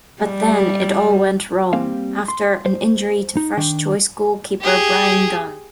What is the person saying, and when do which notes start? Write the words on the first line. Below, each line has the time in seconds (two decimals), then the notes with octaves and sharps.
But then it all went wrong, after an injury to first-choice goalkeeper Bryan Gunn.
0.22 G3
1.73 G3 A#3 C4 F5
2.28 C6
2.66 C5
3.37 D#4
3.57 D#3 D4 G5
4.61 G4 G#4